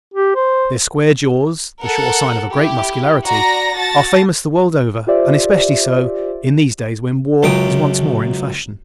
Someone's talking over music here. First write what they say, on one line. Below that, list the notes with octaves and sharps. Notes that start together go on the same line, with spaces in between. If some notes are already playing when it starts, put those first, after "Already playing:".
Their square jaws--the sure sign of great muscularity--are famous the world over and especially so in these days when war is once more in fashion.
G4
C5
A4 A#4 F#5
E4 G4
F#4 D5 A#5 A#6
F#4 A5 A6 A#6
F4 G4 C5 D5 E5
C#2 F#2 F#3 G5 D#6